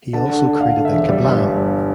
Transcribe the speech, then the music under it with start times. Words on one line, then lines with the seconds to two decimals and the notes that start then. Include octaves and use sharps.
He also created the KaBlam!
0.13 D3 A5
0.30 D3
0.45 D3
0.61 D3 F5
0.77 D3
0.85 E5
0.93 E1
1.08 G3
1.24 G1
1.41 G2
1.56 G3